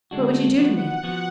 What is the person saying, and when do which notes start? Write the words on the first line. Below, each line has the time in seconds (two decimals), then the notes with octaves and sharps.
"What would you do to me?"
0.11 D3 G#3 D4 F#4
0.57 F3 B3 F#4 F#5
1.03 F3 B3 F#4